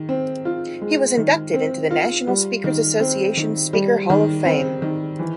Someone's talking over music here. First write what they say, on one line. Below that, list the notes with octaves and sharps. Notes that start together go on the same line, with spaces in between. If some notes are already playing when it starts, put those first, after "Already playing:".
He was inducted into the National Speakers Association Speaker Hall of Fame.
Already playing: D#3
C4
F4
G#3
D#3
C4
F4
G3
D#3
C4
D#3
G3
D#3
C4
D#3
E3